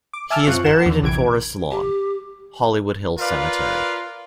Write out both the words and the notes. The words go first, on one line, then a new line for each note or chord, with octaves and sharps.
He is buried in Forest Lawn - Hollywood Hills Cemetery.
D6
E5 G#5 A5 D6 E6 F6
F#2 C4 F4 C#6 F#6
G1 A#4 F#5 E7
E2 D3 E3
A#1 C3 E3 G#6 D7
G4
F4 A#4 B4 D5 F5